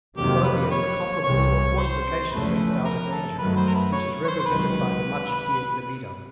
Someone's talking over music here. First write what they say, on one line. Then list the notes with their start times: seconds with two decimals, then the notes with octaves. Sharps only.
The phobia is comparable to a fortification against outer danger, which is represented by the much feared libido.
0.17 F2 C3 D#3 F#3 A#3 G4
0.44 B4
0.71 C#5
1.24 C2 C3 E3 C#5
1.78 C5
2.31 E2 C#3 F3 A3 B4
2.85 A#4
3.11 A4
3.38 F#2 D#3 F#3 A3 B4
3.56 C5
3.67 A#4
3.75 B4
3.92 C#5
4.24 C#5
4.28 C5
4.40 C5
4.46 C#2 C3 D#3 F#3 B4